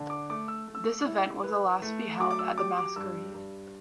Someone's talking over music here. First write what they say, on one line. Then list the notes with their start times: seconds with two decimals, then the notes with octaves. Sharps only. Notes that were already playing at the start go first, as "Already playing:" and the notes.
This event was the last to be held at The Masquerade.
Already playing: D3
0.10 D6
0.30 A3 D6
0.48 E6
0.68 A3
0.75 E6
1.06 E4
1.44 B4
1.82 A3
2.20 F#3 D6
2.31 D6
2.39 E6
2.58 G4 D6
2.78 D6
2.96 G2 E6
3.34 G2